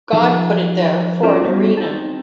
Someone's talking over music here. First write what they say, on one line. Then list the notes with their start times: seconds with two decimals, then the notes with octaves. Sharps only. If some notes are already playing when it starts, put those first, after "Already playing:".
God put it there for an arena.
0.13 F3 D#4 G#4
1.23 C#4 F4 C5 D5
1.42 G3 B3 D#4 F#4
1.77 C4 D#4 A5